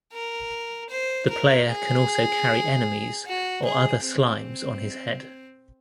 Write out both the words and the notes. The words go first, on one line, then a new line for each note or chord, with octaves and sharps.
The player can also carry enemies or other slimes on his head.
A#4
C5
A#4
G#4
F#4
G#4
C4